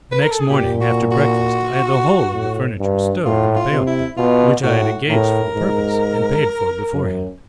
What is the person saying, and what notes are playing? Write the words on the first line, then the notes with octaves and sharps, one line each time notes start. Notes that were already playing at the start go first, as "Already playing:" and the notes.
The next morning, after breakfast, I had the whole of the furniture stowed in a peotta, which I had engaged for the purpose and paid for beforehand.
B4
A#4
A4
G#4
A#2 G4
F#4
F#4
A2
G2
A2 F4
F4
C3
E4
B2 F4
A2 F#4
A2 A#4
G#2
F#2